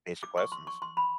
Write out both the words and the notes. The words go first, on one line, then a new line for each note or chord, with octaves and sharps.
basic lessons,
D6
C#6
C6
C#6
C6
B5